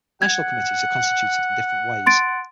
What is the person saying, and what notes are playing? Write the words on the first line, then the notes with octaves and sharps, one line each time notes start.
National committees are constituted in different ways.
F#5 G#6
C6 A6 D7